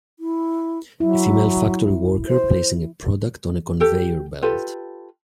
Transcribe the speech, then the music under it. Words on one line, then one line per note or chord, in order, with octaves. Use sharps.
A female factory worker placing a product on a conveyor belt.
E4
F#3 E4
C5
G4 A4 G5
F4 G4 A4 B4